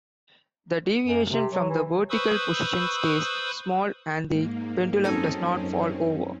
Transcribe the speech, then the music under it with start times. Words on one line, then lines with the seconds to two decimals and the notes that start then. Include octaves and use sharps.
The deviation from the vertical position stays small, and the pendulum doesn't fall over.
1.06 F#2
1.31 C3
1.52 F#3
1.69 E3
2.10 B4 C5 B5 C#6 D#6 E6
4.27 G#2 A#3
5.04 F#2 C4 C#4 D#4 A4 G#5